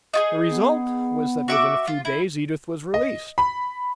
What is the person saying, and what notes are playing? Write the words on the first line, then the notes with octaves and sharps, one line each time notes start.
The result was that within a few days Edith was released.
D#4 F4 G#4
B3
F#4 E5 D6
F4
E4
D#5
B5